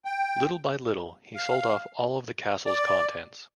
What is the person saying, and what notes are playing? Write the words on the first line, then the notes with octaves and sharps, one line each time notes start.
Little by little, he sold off all of the castle's contents.
G5
F5
D5